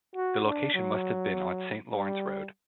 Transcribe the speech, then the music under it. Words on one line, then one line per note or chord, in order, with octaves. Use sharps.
The location must have been on Saint Lawrence Road.
F#4
D4
F#3
G3